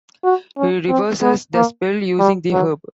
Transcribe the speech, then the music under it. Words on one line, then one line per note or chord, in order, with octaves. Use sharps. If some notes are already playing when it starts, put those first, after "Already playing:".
He reverses the spell using the herb.
F#4
C#4
C4
B3
A#3
G3
F#3